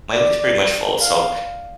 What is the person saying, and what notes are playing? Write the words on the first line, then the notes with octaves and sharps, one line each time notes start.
my week is pretty much full, so
D5
F5